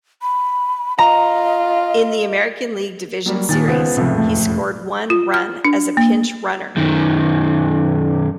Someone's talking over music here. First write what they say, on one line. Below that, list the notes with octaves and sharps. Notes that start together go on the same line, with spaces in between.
In the American League Division Series, he scored one run as a pinch-runner.
B5
F4 D#5 A#5
F#3 G3 A#3
D#2 A#2 D#3 A6
C#2 B3 C5
C#2 A2 C3 E3 F3
E1 F2 A3
F4
F6
D4
A#3
F#2 D#3